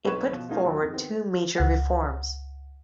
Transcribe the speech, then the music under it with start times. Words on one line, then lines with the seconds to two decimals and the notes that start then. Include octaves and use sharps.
It put forward two major reforms.
0.05 B1 C4 B4 C#5 C#6 E7
0.31 B2 F3
0.49 A3 B3 C#4 D#4 F4
0.65 D#2 F#3
0.82 F2 G#2
0.93 D#3 B3 C4
1.58 C#2 F#5